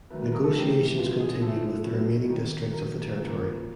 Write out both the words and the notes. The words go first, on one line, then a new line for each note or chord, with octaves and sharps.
Negotiations continued with the remaining districts of the territory.
D#3 F#3 A3 B4
B4
A#4
A4
C3 E3 A3 C4 G4
D3 F#3 B3 F4
G#4
G#4
D3 F3 A3 A4
A2 F#3 B3
C3 D#3 F#3
D#3 F#3 A#3 A#4
C#3 F3 A#3 G#4
A#4
A#4
B4
A#2